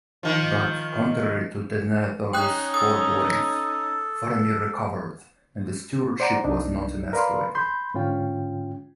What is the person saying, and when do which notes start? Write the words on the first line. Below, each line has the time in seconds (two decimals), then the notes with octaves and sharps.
But contrary to Denethor's forebodings, Faramir recovered, and the Stewardship was not emasculated.
0.23 D#3 F3
2.33 C#4 D#4 G5 D#6 F#6
2.74 A4 D#6
6.20 C5 D5 F#5 A#5
6.44 C2 D4 D#4
7.13 A#4 B4 D5 F5 B5 C6
7.55 B5 C6 G6
7.94 G#2 D3 C#4 F4 G5